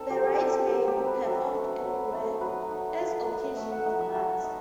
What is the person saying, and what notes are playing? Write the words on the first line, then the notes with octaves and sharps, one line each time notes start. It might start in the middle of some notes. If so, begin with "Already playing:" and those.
The rites may be performed anywhere, as occasion demands.
Already playing: C4 D#4 A4
F#3 G4
G4
C4 D#4 A4
G4
F#3 A4
G4
C4 D#4
B4
F#3 A4
A3 D#4
F#3
A3 D#4
F#3 B4
A3 D#4
F#3
A3 D#4
A3 E5
F#5
D#4 F#5
E5
A3
D#4